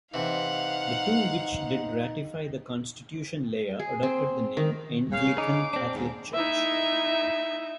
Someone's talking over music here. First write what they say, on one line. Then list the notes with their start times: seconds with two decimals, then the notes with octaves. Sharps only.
The two which did ratify the constitution later adopted the name Anglican Catholic Church.
0.14 C3 E3 D#4 F5 F#5
3.79 G#4
4.03 C4
4.57 D#3
5.12 C#3 F5
5.38 D#4 D6
5.73 C4 D4
5.95 D#2 G#2
6.34 D#4 E4 E5